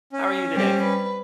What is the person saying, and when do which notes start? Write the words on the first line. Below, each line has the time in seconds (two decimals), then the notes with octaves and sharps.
How are you today?
0.13 C#4
0.53 G3 C4 G4
0.83 B4